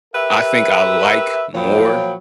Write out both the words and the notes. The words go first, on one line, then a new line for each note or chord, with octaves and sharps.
I think I like more
G4 A#4 B4 E5
A#2 F3 F#3 C#5 G5 B5